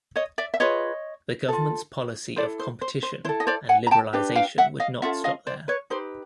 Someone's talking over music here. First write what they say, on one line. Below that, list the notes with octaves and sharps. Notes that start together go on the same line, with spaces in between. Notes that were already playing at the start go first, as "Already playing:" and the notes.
The government's policy of competition and liberalization would not to stop there.
C#5 D#5
D5 E5
E5
F4 G#4 B4 C#5 D#5
F4 A4
E4 A4 C5 D5
C5
C5
C5
E4 A4 C5
D#5
C5 D5
F#5 G#5
A#5
G5 A5
D4 G4 B4
F5 G5
E5 F#5
D#5 F5
C#4 F4 A4 E5 F#5
D#5 F5
C5 D5
B4 C#5
D#4 G4 B4 C5